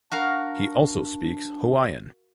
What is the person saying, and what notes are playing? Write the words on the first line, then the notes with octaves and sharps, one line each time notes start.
He also speaks Hawaiian.
D4 F#4 A#4 F5